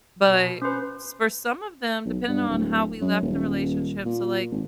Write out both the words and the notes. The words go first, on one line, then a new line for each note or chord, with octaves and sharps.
But s for some of them, depending on how we left the relationship so, like,
B2
C#4 B4 C5
B1
G2
D1
F#2
D#1
A#2
G#1